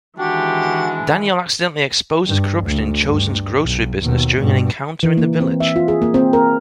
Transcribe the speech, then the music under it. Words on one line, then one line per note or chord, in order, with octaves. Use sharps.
Daniel accidentally exposes corruption in Chozen's grocery business during an encounter in the village.
D#3 E3 G#3 D4 F#4 G4
G2
D2
G2
B1
D#2 B2
G2 B2
E3
A#3
C4
E5
F4
G#4
A#3
C4
A#4